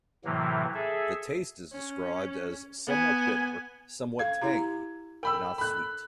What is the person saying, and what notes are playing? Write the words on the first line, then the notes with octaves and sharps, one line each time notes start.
The taste is described as "somewhat bitter, somewhat tangy, not sweet".
A2 C3 E3 F#3 A#3
G#4 A4 E5
C#4
B3 G#5
F5 G#6
E4 G4 A#5
A#4 G5 B5 E6
B5 F#6